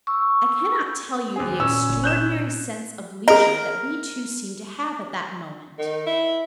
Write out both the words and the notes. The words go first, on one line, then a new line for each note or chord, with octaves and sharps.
I cannot tell you the extraordinary sense of leisure that we two seemed to have at that moment.
C#6 E6
D#2 C4 G#4
A#2 C#4 E6
F#1 A#2
F#6 G6 E7
G#4 A#4 D#5
D#3
E4